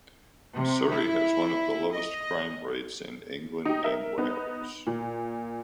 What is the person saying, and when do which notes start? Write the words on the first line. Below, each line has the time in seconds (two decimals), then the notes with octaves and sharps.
Surrey has one of the lowest crime rates in England and Wales.
0.55 C3
0.90 E4
1.93 D#5
3.65 D#4 G4
3.84 A#4 E5
4.18 B3 D#4
4.87 A#2